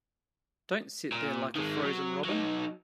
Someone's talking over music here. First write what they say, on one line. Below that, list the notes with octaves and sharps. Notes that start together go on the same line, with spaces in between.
Don't sit there like a frozen robin.
A#2
D#3 G#3
F#3
F#3 D#4